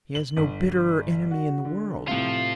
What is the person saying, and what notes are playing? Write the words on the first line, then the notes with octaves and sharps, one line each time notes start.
He has no bitterer enemy in the world!
F#7
G1
F#4
D3
A2 C3 F3 F4